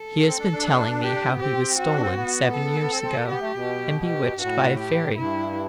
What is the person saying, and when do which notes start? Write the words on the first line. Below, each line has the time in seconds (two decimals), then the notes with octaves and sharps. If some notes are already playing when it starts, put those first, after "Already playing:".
He has been telling me how he was stolen seven years ago, and bewitched by a fairy.'
Already playing: A4
0.26 C4
0.39 D4
0.52 D4
1.02 G4
1.29 B3
1.40 C4 G4
1.78 F#4
1.88 D4
2.01 C4
2.15 B3
2.53 A4
2.81 B3
2.91 C4
3.03 C4
3.28 B3 G4
3.41 A3
3.54 B2
4.04 G4
4.35 G2
4.41 A2 F#4
4.79 G4
5.17 G2 E4